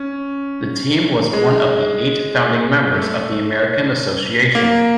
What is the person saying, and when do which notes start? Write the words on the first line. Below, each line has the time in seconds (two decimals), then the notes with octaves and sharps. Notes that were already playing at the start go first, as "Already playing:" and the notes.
The team was one of the eight founding members of the American Association.
Already playing: C#4
1.33 G#3
2.94 A3
4.55 A#3